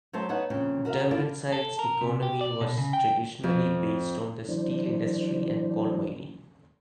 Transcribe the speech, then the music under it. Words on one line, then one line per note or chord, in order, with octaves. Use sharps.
Derwentside's economy was traditionally based on the steel industry and coal mining.
F#3 A3 C5 A5
B3 D#4 C#5 E5 F#5
F2 A#2 C#3 D4 G5
F#4 A#4 E5 F5
E4 F4 A4 D5
A4
A#4
C3
G4
D5
B2
C#3
G5
F2
E3 F#3 D4 E4 C5 D5